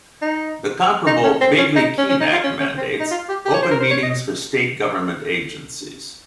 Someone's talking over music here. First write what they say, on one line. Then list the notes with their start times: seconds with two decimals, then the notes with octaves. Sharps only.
The comparable Bagley-Keene Act mandates open meetings for State government agencies.
0.22 D#4
1.07 D#4
1.24 C#4
1.41 C4
1.58 C#4
1.76 D#4
1.98 C#4
2.10 C#4
2.20 D#4
2.32 F4
2.44 C#4
2.60 C#4
2.77 C4
3.00 D#4
3.11 F4
3.29 G4
3.45 G4
3.54 C#5
3.63 C5
3.71 A#4
3.80 C5
3.91 C#5
4.03 D#5